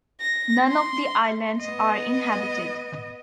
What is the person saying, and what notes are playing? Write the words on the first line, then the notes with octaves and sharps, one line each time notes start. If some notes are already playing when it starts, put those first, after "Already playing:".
None of the islands are inhabited.
A#6
C6
B3 D#5